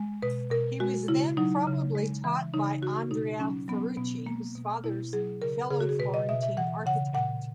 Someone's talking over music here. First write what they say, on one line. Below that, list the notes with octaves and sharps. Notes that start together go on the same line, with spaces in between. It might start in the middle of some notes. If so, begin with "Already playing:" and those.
He was then probably taught by Andrea Ferrucci, his father's fellow Florentine architect.
Already playing: G#3
B2 B4
B2 A#4
G#3 F#4
C#3 E4
F#3 D#4
C#3
G#3
E3
C#3 D#4
C#3 F#4
B2 D#4
F#3 C#4
F#3 B3
B2 B3
G#3 A#3
B2
B2 E4
F#3 G#4
C#3 A#4
C#3 G#4
F#4
G#4
B2 B4
D#5
B2 E5
E5
E3 F#5
C#3 F#5
A#2 F#5